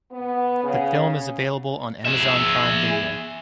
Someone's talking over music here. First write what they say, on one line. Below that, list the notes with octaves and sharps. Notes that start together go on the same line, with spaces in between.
The film is available on Amazon Prime Video.
B3
C#3
G#4 E5